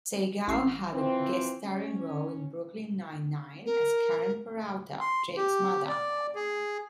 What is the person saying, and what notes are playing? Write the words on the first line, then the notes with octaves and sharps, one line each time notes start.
Sagal had a guest-starring role in "Brooklyn Nine-Nine" as Karen Peralta, Jake's mother.
A1 C#6 C7
E3 F3 C4
C#4
A#4
C6
G4
D5
G#4